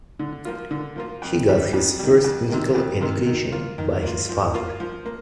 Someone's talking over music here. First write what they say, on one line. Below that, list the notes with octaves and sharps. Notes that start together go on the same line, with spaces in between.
He got his first musical education by his father.
D3
F3 A#3 F4
D3
F3 A#3 F4
F2
D#3 G3
F2
D#3 G3
F2
C3 D#3 A#3
F2
C3 D#3 A#3
D#3
A#3 F4
D#3
A#3 F4
F3
A#3 F4
F3
A#3